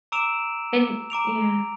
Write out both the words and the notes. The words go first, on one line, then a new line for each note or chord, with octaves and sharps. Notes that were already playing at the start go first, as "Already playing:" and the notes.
And yeah.
A#5 D6 E6 D7 E7 F7
A#5 D6 D7 F7